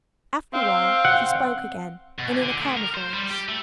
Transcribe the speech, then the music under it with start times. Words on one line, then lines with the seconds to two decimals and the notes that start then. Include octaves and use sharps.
After awhile, she spoke again, and in a calmer voice.
0.53 C4 F5
1.05 F#5
2.19 B2
2.30 A#2
2.41 D3
2.60 A2
2.77 A#4
2.95 C5
3.14 G3
3.30 G4
3.49 A3